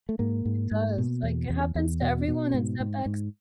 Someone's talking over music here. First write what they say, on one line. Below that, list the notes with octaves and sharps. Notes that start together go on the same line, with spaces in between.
It does, like, it happens to everyone, and setbacks
A3
G#2 A#3
G#2
G#2
B2
E2
E2
E2
B2
B2
G#2
G#2
G#2